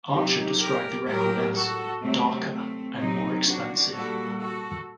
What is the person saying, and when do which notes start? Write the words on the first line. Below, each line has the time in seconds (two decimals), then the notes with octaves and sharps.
Archer described the record as "darker and more expansive".
0.12 C3 F#3 D#4 G4
0.59 G4 A#4
1.07 A2 F#3 G4 A#4
1.55 F#4 A4
2.02 C3 F#3 A3 C4
2.49 A3 C4
2.98 C3 F#3 C4 D#4
3.44 D4 F#4
3.92 A#2 G3 F#4 A4
4.40 F#4 A4